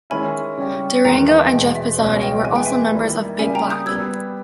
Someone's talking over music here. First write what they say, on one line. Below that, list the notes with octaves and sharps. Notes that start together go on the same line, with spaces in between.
Durango and Jeff Pezzati were also members of Big Black.
D#3 G#3 C#4 E4 G#5 B5
C#3 G3 C#4 G4
E2 D#3 G#3 G5 A#5
E5 G#5
E2 B2 G#3 D#5 G5
E5
C#2 B2 G3 C#4 D#5
D#5 G5
E3 G#3 B3 G#5
G5
E5 G#5
D#3 G3 A#3 E4
C#3 G3 A#3 E5 G#5
G5 A#5
D#6 G6
G3 B3 G4 E6 G#6